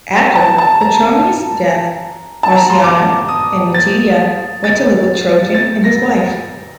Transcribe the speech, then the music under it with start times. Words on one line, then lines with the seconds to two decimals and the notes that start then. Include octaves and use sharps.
After Patruinus' death, Marciana and Matidia went to live with Trajan and his wife.
0.13 G5
0.35 A5
0.58 A5
0.81 A#5
2.43 A5
2.56 A#5
2.70 C6
2.84 D6
3.28 D#6
3.74 A6
4.64 A6
5.54 A6
5.84 A#6